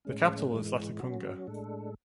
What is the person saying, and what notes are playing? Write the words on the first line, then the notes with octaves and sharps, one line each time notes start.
The capital is Latacunga.
A2 G#3 C#4
G#2 E3 G#3
F#3 C#4 F#4
A2 G#3 D4 A4